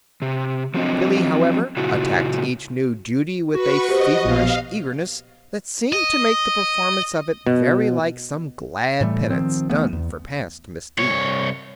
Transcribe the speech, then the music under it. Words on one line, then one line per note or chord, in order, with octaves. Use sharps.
Billy, however, attacked each new duty with a feverish eagerness that seemed to make the performance of it very like some glad penance done for past misdeeds.
C3
F3 F#3 C4 D4 D#5
A#2 C#3 E4 F#4
F#4 B4 C#6
G4 C5 D#5
A#1 B2 F5
D#5
B2
A2 E3 G3 A3
D#3 F3 C4
D2 E3 A3 B3
E2
C2 C#5